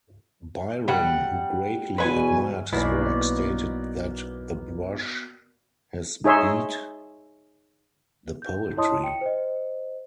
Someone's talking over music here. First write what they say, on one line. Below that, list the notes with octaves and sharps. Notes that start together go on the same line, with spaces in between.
Byron, who greatly admired his work, stated that "the brush has beat the poetry".
G3 F#5
E2 B2 B4 G#5
B1 B2 A#3 E4 D5
D#4 G#4 C#5 E5 C6
G6
E4 C#5 D#5 A5 C6 D#6
G5 C#7
C5 D#5